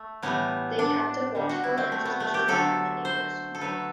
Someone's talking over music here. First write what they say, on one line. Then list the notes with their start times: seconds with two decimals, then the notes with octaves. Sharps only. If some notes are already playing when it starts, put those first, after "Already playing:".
They kept a watchful and suspicious eye on the neighbours.
Already playing: A3
0.22 A2 E3 G3 B3
0.79 D4
1.35 D3 G3
1.49 F#4
1.64 E4
1.78 C4
1.92 A3
2.05 B3
2.20 A3
2.34 G4
2.48 D3 F#3 A3 A4
3.05 C5
3.55 A4
3.61 D3 F#3 A3 B4